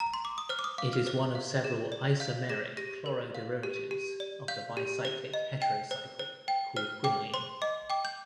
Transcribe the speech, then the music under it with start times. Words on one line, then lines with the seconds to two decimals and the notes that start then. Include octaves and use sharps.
It is one of several isomeric chloro derivatives of the bicyclic heterocycle called quinoline.
0.00 A#5
0.14 C6
0.25 D6
0.38 D#6
0.49 C5 F6
0.59 D6
0.64 D#6
0.78 F5 D6
0.93 F6
1.07 C5
1.35 F5
1.64 G#4
1.92 D5
2.20 F5 G6
2.49 G#4 A#6
2.77 G4 A#6
3.06 A#4
3.35 F5
3.63 G4
3.91 G4
4.20 D5
4.48 F5 G6
4.77 G4
5.05 C5
5.33 D#5
5.62 G5
5.91 C5
6.19 C5
6.48 G5
6.76 C5 F6
7.04 G5 D6
7.34 C5 C6
7.62 D#5 D6
7.90 G5 D6
8.05 G6